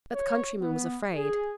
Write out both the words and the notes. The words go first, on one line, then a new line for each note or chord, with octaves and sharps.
But the countryman was afraid.
C#5
B3
G#4